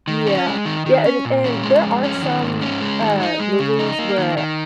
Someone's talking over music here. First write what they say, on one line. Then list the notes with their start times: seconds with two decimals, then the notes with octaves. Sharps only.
Yeah. Yeah, and and there are some, uh, movies where
0.07 D#3
0.27 C#4
0.46 G#3
0.65 D#3
0.86 D#3
1.05 C#4
1.25 A#2
1.44 C#4
1.63 G#3
1.83 F2
2.03 C#4
2.22 D#3
2.42 G#2
2.62 C#4
2.81 G#3
3.01 D#3
3.20 D#4
3.40 G#3
3.59 C#3
3.79 D#4
3.99 A#3
4.18 D#3
4.38 D#3